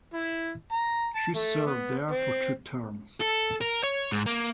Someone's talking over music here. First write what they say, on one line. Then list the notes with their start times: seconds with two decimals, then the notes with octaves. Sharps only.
She served there for two terms.
0.14 E4
0.72 A#5
1.16 A5
1.36 A3
1.66 B3
2.10 C4
3.20 A4
3.61 A#4
3.83 C#5
4.12 G#2
4.26 A#3